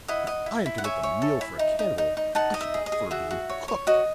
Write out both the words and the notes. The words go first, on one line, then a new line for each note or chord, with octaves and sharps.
"If I am to make a meal for a cannibal, I should prefer being cooked."
E4 D#5 F#5
D#5
E4
E4
F#5
C#5 E5 G#5
C#5
A4
E4
D#4
D#4
D#4
D#4
D#4 F#5 A5
D#5
E5
G#4
D#5
G#4
F#4 E5
F#4
C#5
C#5
F#4 D#5